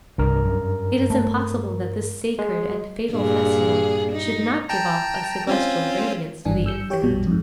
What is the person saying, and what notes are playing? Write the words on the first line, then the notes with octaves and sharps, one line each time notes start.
It is impossible that this sacred and fatal festival should not give off a celestial radiance to the infinite.
C2 G2 A#4
F#2
A3
G#3
G2 A#2 G#4
D#4
G5 A5 A#5
C4 C#4 F4
G#1 G2 E3 D4 G#5
E6 G6 C#7
G4 C#5 G5
A#1 F2 B2 G3
F2 G#2